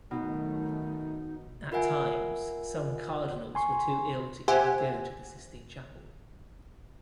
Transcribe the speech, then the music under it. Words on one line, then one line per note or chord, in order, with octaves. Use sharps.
At times, some cardinals were too ill to even go to the Sistine Chapel.
B2 D#3 F#3 A3 D#4
F4 A#4 E5 F#5 G#5
G#5 C6 C#6
G4 C5 E5 F#5 G#5